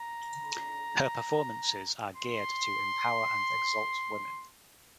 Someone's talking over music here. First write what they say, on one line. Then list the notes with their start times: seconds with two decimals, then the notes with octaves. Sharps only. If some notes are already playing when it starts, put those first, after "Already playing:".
Her performances are geared to empower and exalt women.
Already playing: A#5
2.17 C6